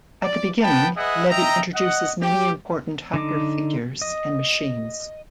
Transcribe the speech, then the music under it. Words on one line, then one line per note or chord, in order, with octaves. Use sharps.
At the beginning, Levy introduces many important hacker figures and machines.
D5
B3 B4 G5 A5
G#4 B4 D#5 E5 F#5
D#5 E5 G5 A#5
D#5 F#5
G4
D3 D#4 D6
D#5